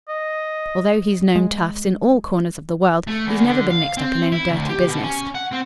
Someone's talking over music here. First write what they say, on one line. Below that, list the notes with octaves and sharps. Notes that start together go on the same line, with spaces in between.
Although he's known toughs in all corners of the world, he's never been mixed up in any dirty business.
D#5
G#3
A3
E2
D3
F5
C4
E4
D2
G4
B2
C#4
F#5
C4